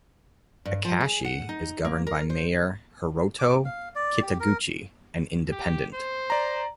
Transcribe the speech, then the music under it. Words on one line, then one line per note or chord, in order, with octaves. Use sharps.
Akashi is governed by Mayor Hiroto Kitaguchi, an independent.
G2
F3
G#4
F#5
D#4
A#3
A#4
C5
D6
F5
D5
G4
A#4
G4
C5
D5 A#5